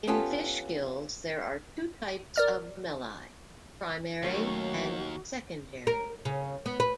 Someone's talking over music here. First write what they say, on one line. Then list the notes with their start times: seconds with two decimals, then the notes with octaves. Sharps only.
In fish gills there are two types of lamellae, primary and secondary.
0.07 B3 C#4 F4 G4 A4
2.36 A#4 D5 F6
4.23 D#2 D#3 F#3 A3 C#4 F#4
5.87 A#4
6.25 C#3
6.66 B3
6.80 B4